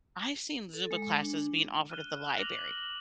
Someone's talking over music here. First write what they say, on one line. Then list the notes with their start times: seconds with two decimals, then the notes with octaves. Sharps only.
I've seen Zumba classes being offered at the library.
0.74 A4
0.91 G#3
1.19 D4
1.89 F6 F#6 D#7 E7 G7
2.38 D6 F6 F#6 A#6 F7 F#7